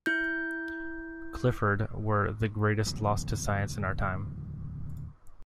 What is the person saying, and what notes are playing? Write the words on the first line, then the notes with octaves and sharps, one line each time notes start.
Clifford were "the greatest loss to science in our time".
E4 G6
D1 E2 C#3 F#3